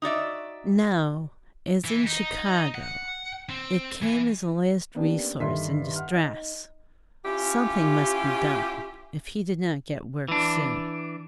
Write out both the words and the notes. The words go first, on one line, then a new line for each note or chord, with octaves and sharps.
Now, as in Chicago, it came as a last resource in distress. Something must be done if he did not get work soon.
D#4 F#4 D5 E5
E3
D#4
F#5
C4
E3
A#3 B3 C#4 D4 G4
G2 D#3 A4 E5 C6 B6
F#5 F6
D#4
C#4 E4 F4 G4
E3 D4